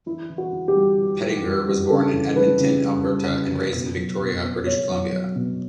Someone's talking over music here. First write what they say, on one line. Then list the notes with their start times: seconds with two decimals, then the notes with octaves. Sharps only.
Pettinger was born in Edmonton, Alberta and raised in Victoria, British Columbia.
0.06 E3 E4
0.30 E3
0.38 F#4
0.53 E3
0.68 G4
0.75 G3
0.98 E3
1.21 E3
1.44 G3
1.68 G3
1.90 C#3 A4
2.13 E3
2.36 G3 B4
2.59 C#3
2.83 G3
3.06 G3
3.28 C#3
3.51 C#3
3.74 B2
3.97 F#3
4.20 B2
4.44 B3
4.66 B2 C#5
4.89 F#3
5.12 F#3
5.36 B2